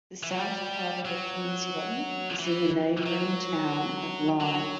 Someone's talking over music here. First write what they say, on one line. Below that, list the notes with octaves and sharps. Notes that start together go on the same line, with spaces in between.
The south part of the peninsula is in the neighboring Town of Lyme.
E3
F#3
G3
F#3
E3
F#3
F#3